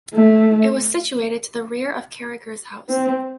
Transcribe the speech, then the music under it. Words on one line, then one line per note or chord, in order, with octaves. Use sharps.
It was situated to the rear of Carragher's house.
A3
C4